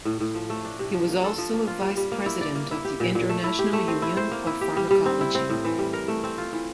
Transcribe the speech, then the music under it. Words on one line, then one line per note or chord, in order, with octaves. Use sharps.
He was also a vice-president of the International Union of Pharmacology.
A2
A2
F3
A3
D4
C3
F3
A#3
A4
F3
A#3
F4
G3
G3
A#3
E4
D5
A#3
E4
G4
A#2
A#2
A3
E4
G4
A3
C4
E4
C5
A#3
E4
G4
G3
G3
C4
E4
C4
A2
E3
G3
A#4
A3
C4
F4
E3